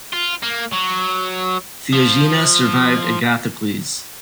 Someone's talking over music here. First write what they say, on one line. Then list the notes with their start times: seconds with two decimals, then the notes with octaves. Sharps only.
Theoxena survived Agathocles.
0.13 F4
0.43 A#3
0.73 F#3
1.93 F3